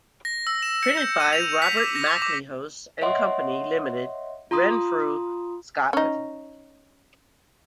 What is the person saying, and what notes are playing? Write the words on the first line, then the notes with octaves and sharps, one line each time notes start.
Printed by Robert MacLehose and Company Limited, Renfrew, Scotland.
A#6
E6
E7
C#7
G6
D#7
F7
B6
D6
A#6
D6
C#5 D#5 E5 F#5 C6
F4 A#5 C6 D#6
C#4 D#4